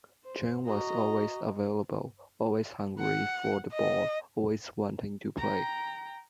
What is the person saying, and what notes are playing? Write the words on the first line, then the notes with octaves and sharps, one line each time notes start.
John was always available, always hungry for the ball, always wanting to play.
C5
F#4 D#5 A#5
F#5
D#5
G5 A#5